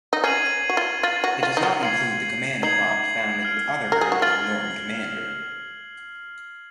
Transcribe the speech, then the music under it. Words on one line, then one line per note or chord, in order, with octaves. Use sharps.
It does not include the command prompt found in other versions of Norton Commander.
D#4
C#4 G#6 C7 D#7 F#7
F#4
F4
F4 G#6 C7 D#7 F#7
F#4
F4
D#4
F4
F4 G#6 C7 F#7
D#4 G#6 C7 F#7
F6 C7 F#7
A#4
G#4
F#4
F4 F6 C7 F#7